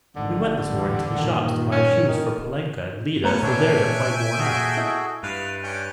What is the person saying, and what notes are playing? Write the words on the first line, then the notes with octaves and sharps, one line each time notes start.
We went this morning to the shops to buy shoes for Polenka and Lida for theirs are quite worn out.
G#1 D3
E2 G3
G2 A#2 D#3
C#4
D#3
A3 B3 C#4 B4 A5 A#5
A#2 A#3 D4 C#5 E5 G5 G#5
F#4 G#4 A4
E4 D#5
G2 B4 F5
C#4 D4 G5